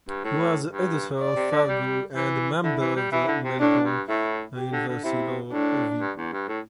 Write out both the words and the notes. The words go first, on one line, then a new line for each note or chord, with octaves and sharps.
He was Editor of Farrago and a Member of the Melbourne University Law Review.
G2
A2
G2
D5
C3
D3
G3
E3
D3 E4
E3
G3
E3 E4
D3
C3
A2 D4
G2
A2 E4
G4
D3
D3
C3 E4
A2 D4
G2
E2
G2
A2